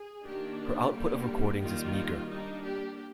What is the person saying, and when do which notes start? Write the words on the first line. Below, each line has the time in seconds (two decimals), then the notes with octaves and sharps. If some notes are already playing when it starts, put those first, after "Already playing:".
Her output of recordings is meager.
Already playing: G#4
0.25 D#3 A#3 D4 G4
0.59 G4
0.94 D3 G3 A#3
1.61 D#3 G3 A#3 F4
2.30 G3 A#3 D4 D#4
2.64 G4